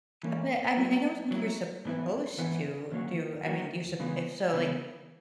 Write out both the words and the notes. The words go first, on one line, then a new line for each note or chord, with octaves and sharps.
Uh, but, I mean, I don't think you're supposed to do I mean, you're sup if so, like,
E3 A#3 C#4
F#3 A#3 E4
F#3 A#3 E4
G#2 E3 B3 E4
G#2 E3 B3 E4
D#3 F#3 A#3 C#4 F#4
D#3 F#3 A#3 C#4 F#4
C#3 E3 G#3 B3
C#3 E3 G#3 B3